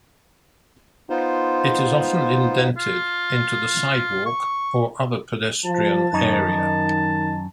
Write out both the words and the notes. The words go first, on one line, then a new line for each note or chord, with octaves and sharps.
It is often indented into the sidewalk or other pedestrian area.
B3 D#4 F4 C5
F4
C#6
F3 A5
F#2 D#3 D#4